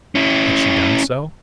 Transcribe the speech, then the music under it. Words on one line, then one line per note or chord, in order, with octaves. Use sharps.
Had she done so?
C#4 E4